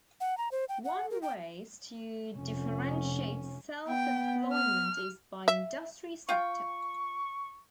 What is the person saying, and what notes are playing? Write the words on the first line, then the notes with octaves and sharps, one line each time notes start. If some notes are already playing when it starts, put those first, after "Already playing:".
One ways to differentiate self-employment is by industry-sector.
F#5
A#5
C5
G5
F#5
A#4
G5
F1 C#4
B3 G5
F6
E5
F4 G5 C#6